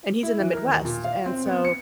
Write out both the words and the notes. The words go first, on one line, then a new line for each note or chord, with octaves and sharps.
and he's in the Midwest, and so,
E4
E3
A#4
D#2
A#2
F5
C4
B3
C#7